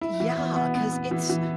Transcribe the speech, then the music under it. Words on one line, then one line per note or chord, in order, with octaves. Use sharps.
Yeah. 'Cause it's
E4
E3
B3
B3
B3
B3
E3
E3